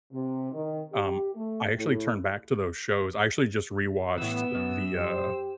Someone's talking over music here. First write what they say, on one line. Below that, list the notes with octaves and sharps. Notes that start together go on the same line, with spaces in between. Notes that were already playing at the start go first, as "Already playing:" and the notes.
um, I actually turned back to those shows, I actually just rewatched, uh, the, uh
C3
D#3
G4
A3
A2
A2 E3 B3 E6
F#2
G4 C5